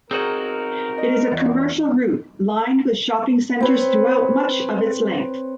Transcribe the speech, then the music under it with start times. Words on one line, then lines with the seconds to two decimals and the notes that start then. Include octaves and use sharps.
It is a commercial route lined with shopping centers throughout much of its length.
0.11 B1 C4 D#4 F#4 G#4 A#4 C#5
0.98 D#5
1.32 E2 B2 F3
3.60 C4 B4 C#5